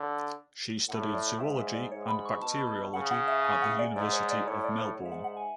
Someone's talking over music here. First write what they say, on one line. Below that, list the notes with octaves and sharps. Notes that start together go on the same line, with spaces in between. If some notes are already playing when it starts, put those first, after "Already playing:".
She studied zoology and bacteriology at the University of Melbourne.
Already playing: D3
A2 F#5
E5
D5
D5
G#2 E5
E5
D5
G#2 C#5
B5
C#6
B2 A5
C#3 F#5
F#5
E5
G#5
F#5
D5
G#2 D5
C#5
D5
A2 C#5
D5
C#5
G#2
E5
F#5
F#5
G#5